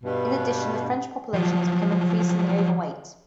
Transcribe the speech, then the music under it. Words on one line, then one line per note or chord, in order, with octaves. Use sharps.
In addition, the French population has become increasingly overweight.
G2 B2
F3 F#3